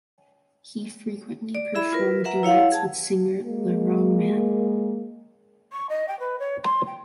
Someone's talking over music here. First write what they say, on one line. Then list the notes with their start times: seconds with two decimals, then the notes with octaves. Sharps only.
He frequently performed duets with singer Lorene Mann.
1.55 D5
1.75 E4 G#4 E5 B5
1.93 F4 A#4 B4
2.24 A#4 B4 E5 F#5 A#5
2.43 E4 C#5 F5 F#5
2.72 G#4 A5
3.46 G#3 A#3
5.73 C#6
5.89 D#5
6.08 G5
6.20 B4
6.40 C#5
6.64 C6
6.87 G5